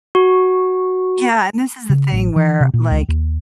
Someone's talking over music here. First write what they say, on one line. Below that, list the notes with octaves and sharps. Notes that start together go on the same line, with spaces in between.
Yeah, and this is the thing where, like,
F#4
C#3
A1
E3
C3
A#2
C#2
D#2